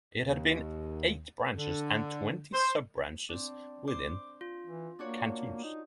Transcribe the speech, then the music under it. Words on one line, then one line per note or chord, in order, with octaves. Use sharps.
It had eight branches and twenty sub-branches within cantons.
D#2
D3
C5
C4 D4
C5 D6
F4
E3
A#3 D4 F#4 C#5
D#4